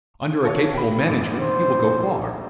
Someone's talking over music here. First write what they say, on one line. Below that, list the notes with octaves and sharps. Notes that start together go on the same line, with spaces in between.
Under a capable management he will go far.
F4 A4 C#5
G5 B5
A#1 F2 G#2
C5